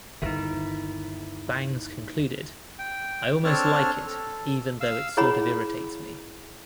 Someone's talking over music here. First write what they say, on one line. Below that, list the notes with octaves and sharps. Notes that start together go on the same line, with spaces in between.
Bangs concluded: I almost like it, even though it sort of irritates me.
G1 D#2 D#3 D#4 E4 E5
G5
C4 D4 A4 C#5 A5 F6
A4
F5 E6
E4 G#4 C#5 F#5 A#5 B5